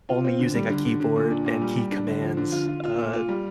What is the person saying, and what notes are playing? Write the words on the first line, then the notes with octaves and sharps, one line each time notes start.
only using a keyboard, and key commands, uh,
F4
C4
D3
G3
D3
D3
D3
A#2
D4
A#2
G3
G3
D4
D3
F3
D3
F4
F4
F4
A#2
F4
G3